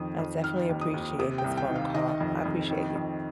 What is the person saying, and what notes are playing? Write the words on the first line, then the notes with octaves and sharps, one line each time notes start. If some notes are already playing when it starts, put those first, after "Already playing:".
I definitely appreciate this phone call, I appreciate you.
Already playing: F2 D#3 D#6
F2
D#3 F6
D#2
D#6
D#2
C3 D#6
G5
C2
G5
D#3
F5
D#3 D#5
F2
F2
D#3
F2